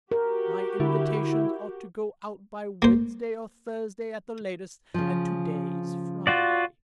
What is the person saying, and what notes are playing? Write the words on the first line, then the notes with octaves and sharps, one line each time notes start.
My invitations ought to go out by Wednesday or Thursday at the latest, and to-day is Friday.
F#4 G4 A#4
D3 E4
A#3 C5
C#3 F3
F4 F#4 D5